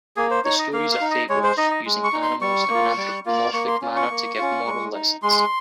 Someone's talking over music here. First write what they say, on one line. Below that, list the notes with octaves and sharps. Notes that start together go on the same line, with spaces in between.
The stories are fables, using animals in an anthropomorphic manner to give moral lessons.
A#3 G#4
C5
D#4 C#5
D#5
A#3 F5
F5
D#4
D#5
G#3 C#5
C5
D#4 D#5
D#5
G#3
C#6
D#4
C6
G3 C#6
A#3 F4
G3
A#3 F4
A#3 C#6
C6
C#4 F4
C#6
A#3
C#4 F4
G#3
D#4
G#3 C6